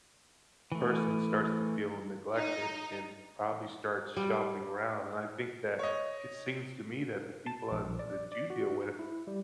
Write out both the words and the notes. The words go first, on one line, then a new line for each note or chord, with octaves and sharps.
person starts to feel neglected, and probably starts shopping around, and I think that it seems to me that the people and that you deal with
E3 A3
D#4
G3
C#5 D#5
A5
A#1
D5
D5
F#4
E4
G3